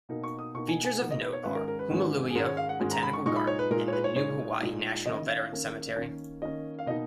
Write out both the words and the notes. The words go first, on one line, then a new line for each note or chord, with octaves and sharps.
Features of note are Hoomaluhia Botanical Garden and the new Hawaii National Veterans Cemetery.
B2 A#3 D#4
C#6
D#6
B2 A#3 D#4 C#6
G#5
G#5
B2 A#3 D#4 F#5
D#5
B4
C#5
G#2 D#3 G#3 C#4 B4
A#4
A#4
B4
G#2 D#3 G#3 C#4
G#4
G#2 D#3 G#3 C#4 A#4
C#5
F5
F#5
G#2 D#3 G#3 C#4
A#5
B5
C#6
A#2 G#3 D#4 C#6
B5
C#5
B4
A#2 G#3 D#4 A#4
C#5
B4
C#5
A#2 G#3 D#4 C#5
A#2 G#3 D#4
D#3 A#3 C#4 D#5
F5
D#3 A#3 C#4
D#3 A#3 C#4
D#3 A#3 C#4 D#5
F5
B2 A#3 D#4 D#5